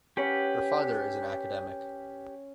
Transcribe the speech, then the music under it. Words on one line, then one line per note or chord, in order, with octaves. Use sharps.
Her father is an academic.
C#4 G4 B4 C#5 F#5